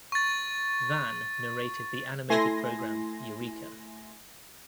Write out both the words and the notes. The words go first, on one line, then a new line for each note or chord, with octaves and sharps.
Van narrated the animated program Eureka!
C#6 A6
A3 E4 G#5 C6 A#6